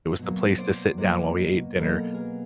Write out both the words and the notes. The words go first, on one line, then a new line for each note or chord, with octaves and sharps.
It was the place to sit down while we ate dinner.
B2 F#3 A#3
C5 D5
B2 F#3 A#3 C5 D5
B2 F#3 A#3 A4 B4
G#4 A#4